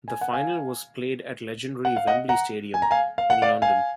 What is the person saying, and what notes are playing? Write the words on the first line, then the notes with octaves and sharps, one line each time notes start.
The final was played at legendary Wembley Stadium in London.
G#5
F#5
F5 G#5
F#5
F5
D#5 F#5
F#5 A#5
G#5
A#5
F5 G#5
F5
F#5
D5 F5
F5 G#5